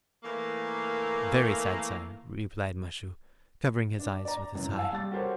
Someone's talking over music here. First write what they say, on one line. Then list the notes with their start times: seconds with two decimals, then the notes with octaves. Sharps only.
"Very sad, sire," replied Michaud, lowering his eyes with a sigh.
0.23 E3 A3 A#3
3.99 D4
4.25 D5 A#5
4.55 F#2 E3
4.76 F5 G#5 A5 E6
4.93 G3 A6
5.11 F#4 G4 A4 A#4 C5 C#5